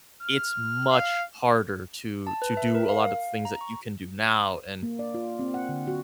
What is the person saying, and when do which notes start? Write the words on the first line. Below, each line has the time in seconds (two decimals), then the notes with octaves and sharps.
it's much harder to to do a lot of things that you can do now. And,
0.22 F6
0.91 F5
2.27 A5
2.42 B4
2.57 E5
2.75 A#4
2.89 F5
3.01 F5
3.45 A#5
3.61 C#6
4.83 A#3
4.99 D5
5.14 F4
5.39 C4
5.54 F#5
5.69 D3
5.87 F#4